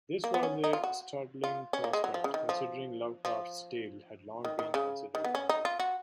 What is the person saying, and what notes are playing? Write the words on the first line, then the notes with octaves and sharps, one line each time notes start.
This was a startling prospect considering Lovecraft's tale had long been considered unfilmable.
A#3
B3
C#4
D#4
F4
F#4
F4
C#4
A#3
G#3
F#3
F3
C#3
D#3
F3
F3
D#3
D#3
C#3
D#3
B3
C#4
D#4
F4
F#4